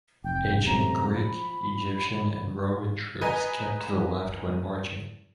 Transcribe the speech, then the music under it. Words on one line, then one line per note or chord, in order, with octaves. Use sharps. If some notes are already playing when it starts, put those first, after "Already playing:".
Ancient Greek, Egyptian, and Roman troops kept to the left when marching.
F1 G5
F#2 A2 C3 A#5
F3 B5
B4 D#5 G#5 A#5